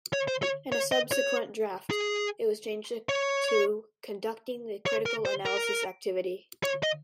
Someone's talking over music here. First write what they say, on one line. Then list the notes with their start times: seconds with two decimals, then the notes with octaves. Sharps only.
In a subsequent draft, it was changed to "Conducting the Critical Analysis Activity".
0.13 C#5
0.28 C5
0.43 C#5
0.72 C#5
0.92 D#5
1.11 C#5
1.91 G#4
3.09 C#5
4.86 C#5
5.06 A#4
5.25 C5
5.45 A#4
6.63 C#5
6.83 D#5